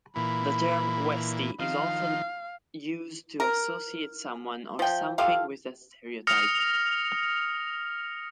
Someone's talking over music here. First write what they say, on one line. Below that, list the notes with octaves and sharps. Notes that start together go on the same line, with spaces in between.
The term "westie" is often used to associate someone or something with a stereotype.
A#2 E3 B5
D#3 F3 F5
A#4
F3 G5
F4 G4 A4 F5
D#6 F6 A#6 C#7 F7